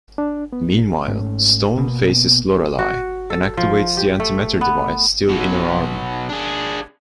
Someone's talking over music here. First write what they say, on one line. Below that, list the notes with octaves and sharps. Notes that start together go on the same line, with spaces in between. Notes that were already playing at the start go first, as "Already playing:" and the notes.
Meanwhile, Stone faces Lorelei, and activates the anti-matter device still in her armour.
D4
B3
G#2 A3 C#4
B2 A#3 B3
F#4
A4
F3
G4
A3
B3
B2 F#3
D4 G#4